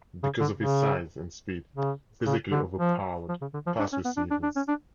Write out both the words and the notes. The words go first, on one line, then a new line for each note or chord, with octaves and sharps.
Because of his size and speed, he physically overpowered pass receivers.
C#3
D3
C#3
C#3
C#3
D3
F3
F3
C#3
D3
F3
D4
C#4
B3
D4
D4
D4
C#4
D4